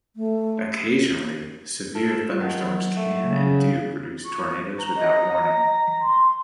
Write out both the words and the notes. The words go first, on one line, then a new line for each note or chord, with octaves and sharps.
Occasionally, severe thunderstorms can and do produce tornadoes without warning.
A3
F4 A4
D#3 F#3
A3
C#3
C#6
A#5
D#5
C6